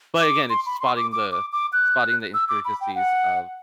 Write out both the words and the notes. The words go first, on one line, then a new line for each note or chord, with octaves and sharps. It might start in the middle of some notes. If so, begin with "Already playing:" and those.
But again, it's spotting the spotting the intricacies of
D6
C6
B5
C6
D6
D6
D6
D6
F#6
E6
D6
B5
G5
F#5